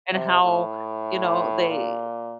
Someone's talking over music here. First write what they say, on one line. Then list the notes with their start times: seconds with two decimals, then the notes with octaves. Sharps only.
and how, you know, they
0.11 C3
0.42 A2
1.69 A#2